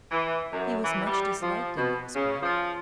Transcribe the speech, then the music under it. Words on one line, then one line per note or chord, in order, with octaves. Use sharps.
He was much disliked in Louisbourg.
E3
F#2
E3
G3
F3
B2
C#3
F3